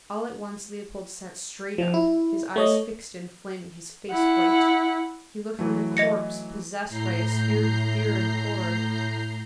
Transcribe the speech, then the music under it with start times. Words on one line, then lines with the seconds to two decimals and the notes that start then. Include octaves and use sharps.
All at once Leopold sat straight up, his eyes fixed and flaming, his face white: he looked like a corpse possessed by a spirit of fear and horror.
1.78 F3
1.94 E4
2.56 A3 C#5 D#5
4.11 E4 F#5
5.59 E3 F#3 A3
5.97 D#5 A#6 C#7
6.89 A2 A#5 G6 C7